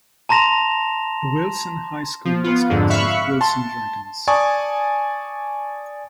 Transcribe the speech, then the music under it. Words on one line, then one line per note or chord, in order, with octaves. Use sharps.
The Wilson High School mascot is Wilson Dragons.
A5 A#5 C6 A#6 E7 F7
F3
B3 F4
F2 G#2 D3
E5 F5 B5 C#6 F#6
A5 C6
D5 G#5 A5 C#6 D#6